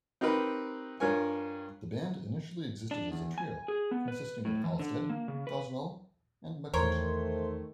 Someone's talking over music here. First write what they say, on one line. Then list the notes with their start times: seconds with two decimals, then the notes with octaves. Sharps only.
The band initially existed as a trio, consisting of Halstead, Goswell, and McCutcheon.
0.21 C4 D#4 G4 A#4 B4
1.00 G2 F4 A#4 C#5 G#5
2.91 D4
3.12 E2
3.38 G#5
3.68 G#4
3.91 B3
4.08 B4
4.45 A2
4.64 E3
4.79 D3
5.09 A#3
5.28 C#3
5.47 B4
6.74 E2 D#3 A3 A#4 C5 C#5 C6